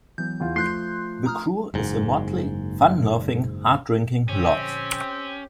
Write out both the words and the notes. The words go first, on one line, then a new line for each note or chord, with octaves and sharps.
The crew is a motley, fun-loving, hard-drinking lot.
E3 F#3 B3 G6
E2 F4
F3 A3 C6 F#6 G6 C7
A#5 D#6 F6
F#1 G#2
A#2 D3 F3 C4 C#4 G4